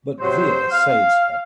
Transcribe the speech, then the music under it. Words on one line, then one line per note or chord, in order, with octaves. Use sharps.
But Veer saves her.
C3 F#3 C5
F5